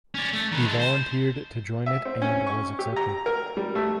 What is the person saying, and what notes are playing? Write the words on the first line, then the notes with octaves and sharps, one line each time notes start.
He volunteered to join it and was accepted.
C#4 D5
A3
D#3 B4
G#3 A4
C5
E5
C4
C#4
C#6
G4
A#5
A#4
G3
A3